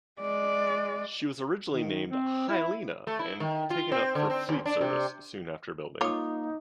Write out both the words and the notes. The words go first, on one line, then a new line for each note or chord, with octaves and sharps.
She was originally named "Hyalina" and taken up for Fleet Service soon after building.
G#3 D5
D#3
C4
E4
A3
E4
D#3
F4
C4
D3
C4
D#2
D4
C3
A#3 D#4 F4 C#5 F5 D6 D#6